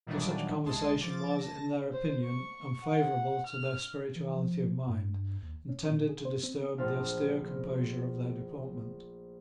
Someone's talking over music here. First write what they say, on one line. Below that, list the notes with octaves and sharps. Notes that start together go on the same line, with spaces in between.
For such conversation was, in their opinion, unfavourable to their spirituality of mind, and tended to disturb the austere composure of their deportment.
A#2 D#3 E3 F#3 G3 D4
C2 G#3 A5 C6
F3 D6 A6
A5 A#6
C5
C#6
F#5
F6
E3
F3
G2
D#2
C#4
A#2
G#4
C5
C4
A#1 A3 F4 C5 F5 A5